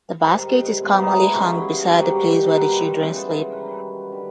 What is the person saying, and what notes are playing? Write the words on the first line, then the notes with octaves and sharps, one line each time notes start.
The basket is commonly hung beside the place where the children sleep.
G#2 D#3 G3
B2 G#3 B3 E4
D#4
E4
E4
C#3 E3 G3 B3 F#4
G#2 D#3 G3 A#3 G4
F#4
G4
B2 G3 B3 A#4
B4
C5
B4
C#3 E3 G#3 B3 C5
F#2 D#3 G3 B4
D3 G3